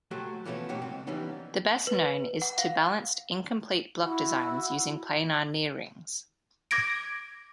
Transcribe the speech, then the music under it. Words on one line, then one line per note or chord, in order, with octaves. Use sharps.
The best known is to balanced incomplete block designs using planar near-rings.
F#3 A3 F#4 G4 C5
E3 F3 A3 B3 C#4
G#2 B2 F#3 F#4 G4
C#2 C4
E3 F3 G3 B3 C#4 D#4
B4
F#5
F5
E4 F#4
D6 G#6 A#6 D7